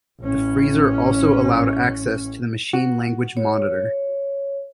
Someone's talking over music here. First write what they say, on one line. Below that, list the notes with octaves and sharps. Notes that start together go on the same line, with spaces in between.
The freezer also allowed access to the machine-language monitor.
A1 C#4
F#4
C#5